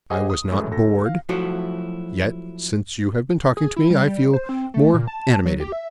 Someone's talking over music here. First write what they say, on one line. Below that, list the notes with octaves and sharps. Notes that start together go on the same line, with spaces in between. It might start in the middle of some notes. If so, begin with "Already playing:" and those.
"I was not bored; yet since you have been talking to me, I feel more animated."
G4 G#4 C5 D#5 F#5 G#5
D#6
F#2 A2 E3 G#3 A3
D2 A4 A#6
F5
F3 F#3 A3 E4 F#4
G#4
E4
G3
G3
C5
C4
A3
A#2
A5
F#3
G4
E5